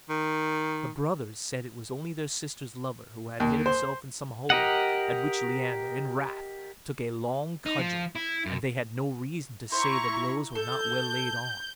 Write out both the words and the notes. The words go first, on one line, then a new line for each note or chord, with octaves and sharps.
The brothers said it was only their sister's lover, who had hid himself in some hole; at which Leander, in wrath, took a long cudgel, and they had no reason to say the blows were not well laid on.
D#3
D#2
C5
G4 A#4 D#5 F#5
D#4
F3
E4
F#2
E4 C5 A#5 C#6
A4 G6